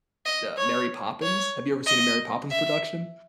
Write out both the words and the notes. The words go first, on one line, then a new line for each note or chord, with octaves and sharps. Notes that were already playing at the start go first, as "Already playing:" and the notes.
the Mary Poppins. Have you ever seen a Mary Poppins production?
D#5
C#5
C#5
D#5
E5